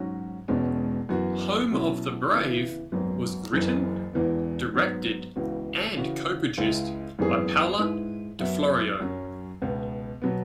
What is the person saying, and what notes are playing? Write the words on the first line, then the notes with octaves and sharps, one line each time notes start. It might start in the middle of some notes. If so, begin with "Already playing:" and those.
"Home of the Brave" was written, directed, and co-produced by Paola di Florio.
Already playing: G#2 F#3 C#4 F#4
E1 E2 B2 G#3 C#4
F#2 E3 B3 F#4
B2 F#3 C#4 E4
C#3 E3 B3 E4
G#1 F#2 F#3 B3
F#1 F#2 E3
E1 E2 E3 B3
G#2 F#3 B3
C#2 C#3 E3 B3 F#4
C#3 E3 C#4 F#4
C#2 C#3 G#3 E4
G#1 F#2 E3 B3 G#4
G#2 G#3 E4 B4
F#2 F#3 B3 F#4 E5
F#2 F#3 C#4
C#2 B2 B3
B2 F#3 B3